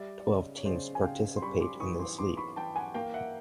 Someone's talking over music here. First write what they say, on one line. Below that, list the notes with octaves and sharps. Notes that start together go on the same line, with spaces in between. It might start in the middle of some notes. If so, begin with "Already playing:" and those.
Twelve teams participate in this league.
Already playing: G3 D5 E5
D5
C#3 C#5 D#5
C#5
C#3 C5 D5
G#5
C#3 F5 G5
C6
G3 B5 C#6
C6 D6
E3 C#6 D#6
C6 D6
E3 C6 D6
B5 C#6
E3 G5 A5
F#5 G#5
A#3 F5 G5
E5 F#5